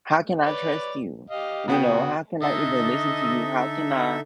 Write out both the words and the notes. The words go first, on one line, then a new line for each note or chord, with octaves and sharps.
"How can I trust you?" You know, "How can I even listen to you? How can I
B4 C#5 D5
G4 D#5 F5
C#3 B3 F#4 G5 D#6
D3 D#4 A4 D#5 E5